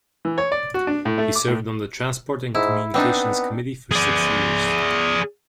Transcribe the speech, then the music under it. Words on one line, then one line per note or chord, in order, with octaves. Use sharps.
He served on the transport and communications committee for six years.
E3
C#5
D5
F#4
D4
A2
A3
D6
A2
G#2 E4
B3 C4 D4 D#4
G#4 D5